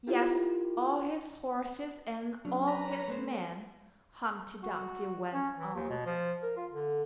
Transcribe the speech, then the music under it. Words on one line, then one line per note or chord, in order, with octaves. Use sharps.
'Yes, all his horses and all his men,' Humpty Dumpty went on.
E4 F4 G4 A#4
F#3 C#4 D4
B4 A#5
C#5
A3 B3 C5
F#4
C#4
E3
D#2
B2
F3
A#4
F4
D3